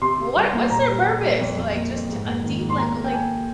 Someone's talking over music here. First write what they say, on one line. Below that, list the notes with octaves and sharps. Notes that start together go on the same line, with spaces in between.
W What what's their purpose, like, just a det like like
C3 C6
C3
G3
A#3
A#2 A#5
G3
G3
G3
F2
F2
A#3
F2
G#2
A#3
D#3
G#2
C6
A#3 A#5
A#3
G5
A#3 G#5